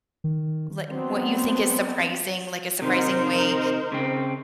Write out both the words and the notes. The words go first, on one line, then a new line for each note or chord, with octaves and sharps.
li what you think is surprising, like, a surprising way
D#3
F#3 B3 C4 D4
C3 D#3 D#4 A#4 C5
C#3 C4